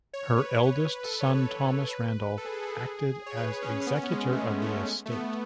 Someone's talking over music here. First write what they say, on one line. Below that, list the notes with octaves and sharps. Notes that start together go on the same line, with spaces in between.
Her eldest son Thomas Randolph acted as executor of the estate.
C#5
B4
C#5
B4
A4
C#5
B4
B4
A4
G#4
A4
G#4
C#5
B4
C#4
B3
C#4
B3
G#3
A3
G#3
A3
A3
B3